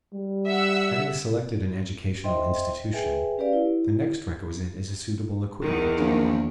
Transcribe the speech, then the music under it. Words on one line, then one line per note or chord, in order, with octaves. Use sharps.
Having selected an educational institution, the next requisite is a suitable equipment.
G3
E5 F#5 E6
C5 D#5 E5 G5 C6
G#4 B4 E5 G5 G#5
C#4 G4 B4 D5 F5
E4
E2 D#3
A#1